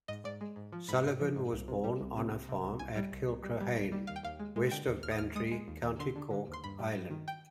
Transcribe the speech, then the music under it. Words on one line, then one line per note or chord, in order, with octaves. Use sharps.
Sullivan was born on a farm at Kilcrohane, west of Bantry, County Cork, Ireland.
G#2 D#5
G#2 D5
G#3
G#2
F3
G#2 B5
G#2
F3
G#2
C2
C3
G3
C2
C3
C2
C3
C2
C2 G#5
G3
C2
C2
G3
G3
C2
G3
D#2 F5
G5
D#2 F5
G#3
G#3
D3 G5
D#2
D#2 F6
D#6
D#2 F6
G#3 D#6
G#3
D#2
D#2
D3 C6
D3
D3
D#2
C6
G2 B5
G3
G2
D#3
G5